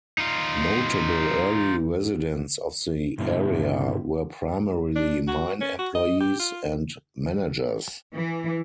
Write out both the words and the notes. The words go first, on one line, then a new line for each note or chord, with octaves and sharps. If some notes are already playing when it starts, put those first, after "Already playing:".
Notable early residents of the area were primarily mine employees and managers.
D#4 F4
G2 B2 D3 G3 A#3 E4
D4
F#4
C#4
F#4
D#5
G4
F4
E3